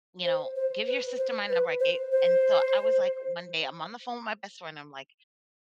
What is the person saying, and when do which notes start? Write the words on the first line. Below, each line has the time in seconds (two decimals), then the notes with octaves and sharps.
you know, “give your sister my number,” I ga and so, I was, like, one day I'm on the phone with my best friend. I'm, like
0.25 C5
0.55 C5
0.86 B4
1.18 C5
1.49 B4
1.80 C5
2.12 C5